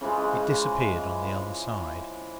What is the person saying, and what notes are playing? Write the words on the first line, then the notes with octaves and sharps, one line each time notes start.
It disappeared on the other side.
C#3 E3 F3 G#3